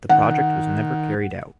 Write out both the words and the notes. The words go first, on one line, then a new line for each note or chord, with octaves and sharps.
The project was never carried out.
D#3 F#5